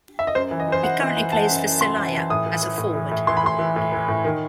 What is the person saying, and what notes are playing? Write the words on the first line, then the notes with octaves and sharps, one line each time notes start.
He currently plays for Celaya as a forward.
E5
D#5
F#2 C5
E3
D#5
E3 C5
E3 F#5
E3
E3
E3 A5
F#2
F#2
F#2 C6
E3
E3
A2 D#6
E3
E3
A2
E3
A2
E3 C6
B5
A2 C6
E3
A2
E3
A2
D#3